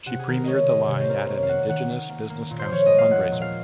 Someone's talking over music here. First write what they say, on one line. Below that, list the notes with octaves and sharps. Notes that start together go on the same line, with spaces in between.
She premiered the line at an Indigenous Business Council fundraiser.
C3 F#5
G#4
D#3 A#4
G#3 C#5 D#5
C3 D#5
C3 C#5
C5
D#3 A#4
A#3 C#5
F5
A#3 F#5
D#3 F#5
D#3
A#3
A#3
A#2
C5
F3 C#5
D#5
G#3
F5
A#2 F#5
A#2
F5